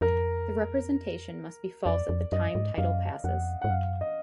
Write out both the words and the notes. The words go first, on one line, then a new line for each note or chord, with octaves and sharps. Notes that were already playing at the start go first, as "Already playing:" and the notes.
The representation must be false at the time title passes.
F2 A#4
F2 D5
F2
F#2 D#5
G#2
F#2 F5
F2 F#5
G#2 F#5
F#2 F5
D#5